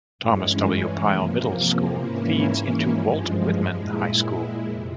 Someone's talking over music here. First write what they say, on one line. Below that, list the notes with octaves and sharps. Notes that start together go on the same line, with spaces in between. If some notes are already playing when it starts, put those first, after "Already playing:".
Thomas W. Pyle Middle School feeds into Walt Whitman High School.
G2 E3 G#3 C#4
C3 F3 A#3
G#2 E3 A#3 C#4 E4
G2 F3 G#3
A#2 G#3 E4
F2 C3